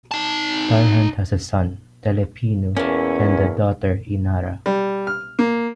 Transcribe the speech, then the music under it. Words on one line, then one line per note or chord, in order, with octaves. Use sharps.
Tarhunt has a son, Telepinu and a daughter, Inara.
D#4 A5
E2 A3 A#3 C#4
G3
F6
A#3